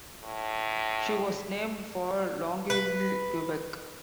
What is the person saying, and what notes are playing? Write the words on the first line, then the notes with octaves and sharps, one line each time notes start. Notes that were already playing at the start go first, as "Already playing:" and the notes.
She was named for Longueuil, Quebec.
A2
B4